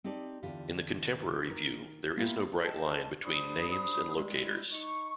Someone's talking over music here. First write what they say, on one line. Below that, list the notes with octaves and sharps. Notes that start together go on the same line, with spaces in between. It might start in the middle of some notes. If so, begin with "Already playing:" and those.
In the contemporary view, there is no bright line between "names" and "locators".
C4 D#4 G4 A4 D5
E2 D3 F4 G4
D#3 A#4
A#3 B3 E4 F4 G4 A#4
G#4 A4 D#5 G5 A5
G3 D4 C5 B5 D#6
G3 G#3 E4
D#4 C#6